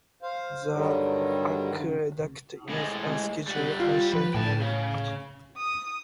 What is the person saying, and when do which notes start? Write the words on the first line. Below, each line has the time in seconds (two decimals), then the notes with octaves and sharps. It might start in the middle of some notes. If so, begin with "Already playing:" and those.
The aqueduct is a scheduled ancient monument.
0.22 C5 F5
0.71 G2 D3 D#3 F#3 G3
2.70 A2 G#3
3.47 G3 F#5
3.80 F4
4.14 F3 B4
4.34 A2 G5 A5
4.61 C#3
5.57 D#6